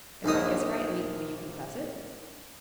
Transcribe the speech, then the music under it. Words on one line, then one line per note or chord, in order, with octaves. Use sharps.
"If I guess rightly, will you confess it?"
A#1 D#2 D#4 D#6